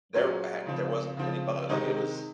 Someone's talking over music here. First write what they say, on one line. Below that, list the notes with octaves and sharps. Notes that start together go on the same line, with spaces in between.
There had there wasn't any bug, like, it was
A#2 F#3 C#4 G#4
C#3 F3 C4
C#3 F3 C4
C3 D#3 G#3 C4 D#4